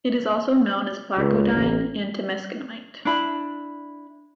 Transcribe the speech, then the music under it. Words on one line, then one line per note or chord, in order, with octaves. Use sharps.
It is also known as placodine and Temiskamite.
C#2
A1
D4 E4 B5